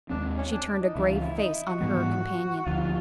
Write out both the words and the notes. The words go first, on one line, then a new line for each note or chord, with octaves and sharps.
She turned a grave face on her companion.
D#2 D#3 G#3 C4 D4
C#4
D4
D4
D#4
C#2 C#3 E3 E4
F4
E4
D#4
E4
F#4
G#2 E3 G3 B3
D2 D3 F3 F4